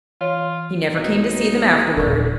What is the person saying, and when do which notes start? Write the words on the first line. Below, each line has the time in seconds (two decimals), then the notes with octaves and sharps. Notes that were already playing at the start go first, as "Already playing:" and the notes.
He never came to see them afterward.
0.21 E3 F4 C#5
0.97 B1 D#4
1.97 D#1 B2 A#4 C#6